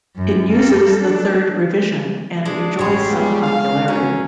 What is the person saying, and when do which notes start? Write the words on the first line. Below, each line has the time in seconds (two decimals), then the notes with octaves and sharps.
It uses the Third Revision and enjoys some popularity.
0.15 F#2
0.51 A#3 A4
1.00 D4
2.46 G#3 D4
2.79 A1 G3 G#4 C#5 C6
3.09 G#3 B3 F4
3.42 F5
3.88 F#3 C#4